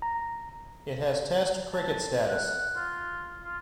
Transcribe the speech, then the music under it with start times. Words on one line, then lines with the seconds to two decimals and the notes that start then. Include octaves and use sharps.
It has Test cricket status.
0.02 A#5
1.72 A5
2.29 F#5
2.76 F4
3.44 F4